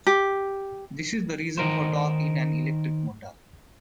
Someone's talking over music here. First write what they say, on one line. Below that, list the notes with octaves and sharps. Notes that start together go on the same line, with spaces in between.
This is the reason for torque in an electric motor.
G4
D#3 D#4 A#4 C5